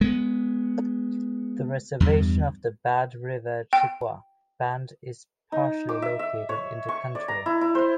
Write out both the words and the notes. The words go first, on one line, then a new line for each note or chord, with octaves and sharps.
The reservation of the Bad River Chippewa Band is partially located in the county.
G#3 B3
E2 G2
G5
D#4
D6
E5
E5
C#5
C#6
D5
A#5
E4
E4
C5